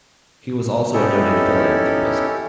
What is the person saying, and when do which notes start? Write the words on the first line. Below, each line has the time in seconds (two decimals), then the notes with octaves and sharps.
He was also a noted philanthropist.
0.93 B3 C#4 D#4 E4 G4 A4